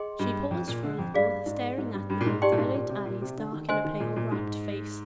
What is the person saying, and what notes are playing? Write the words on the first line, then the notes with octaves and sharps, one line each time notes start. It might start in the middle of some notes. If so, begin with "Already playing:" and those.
She paused for a little, staring at them with dilate eyes dark in a pale, rapt face.
Already playing: G#4 D#5 G5 C6
G2
F2
A#2
D3
F2
G2 G#4 D5 F5
G#2
G#2
G2
G2
A#2
G#2
D#4 G4 D5 G5 C6
A#2
G#2
A#2
C3
A#2
C3
D3
D#3
D3 C5 D#5 G#5 C6
D#3
A#2
A#2
G#2